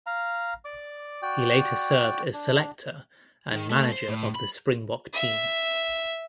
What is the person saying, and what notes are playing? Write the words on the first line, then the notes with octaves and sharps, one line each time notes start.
He later served as selector and manager of the Springbok team.
F5 A#5
D5 D6
F#4 D5 G5
D4
D#3
A3
C5
A2
B5
E5